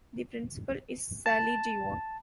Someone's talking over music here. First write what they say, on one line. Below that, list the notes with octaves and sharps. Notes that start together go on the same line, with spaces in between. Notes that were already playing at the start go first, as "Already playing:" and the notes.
The Principal is Sali Devon.
A5